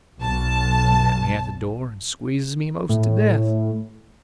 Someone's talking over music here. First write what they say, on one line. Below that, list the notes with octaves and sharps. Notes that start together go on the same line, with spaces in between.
He met me at the door, and squeezes me 'most to death.
B1 A5
A2